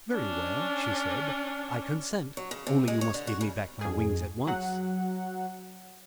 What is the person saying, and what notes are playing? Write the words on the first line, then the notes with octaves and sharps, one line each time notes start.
"Very well," she said; "I consent, only you must give me back my wings at once."
C#4 D4
F#3
C#3
C3
G#3
C#5
D3
F#4
C#3
F2 G#4
F#3 F#5